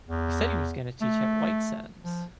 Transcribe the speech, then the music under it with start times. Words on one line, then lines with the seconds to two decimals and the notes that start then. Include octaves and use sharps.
He he said was going to teach at White Sands.
0.08 E2
1.01 A3
2.03 F3